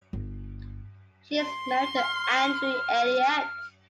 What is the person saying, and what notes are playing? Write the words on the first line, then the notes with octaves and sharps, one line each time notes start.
She is married to Andrew Elliott.
G1
C6
F6